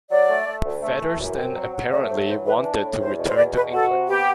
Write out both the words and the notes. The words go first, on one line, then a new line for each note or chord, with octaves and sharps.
Featherston apparently wanted to return to England.
F#3 D5
A3
A3
D2
A3
E3
F#2
C4
F#3
F#3
A3 D5
F#3 C5
E3 C5
E3 B4
D4
A2
E2 C5
B2
C5
E2 D5
B2 B4
F#4 A4
C3
B3 G4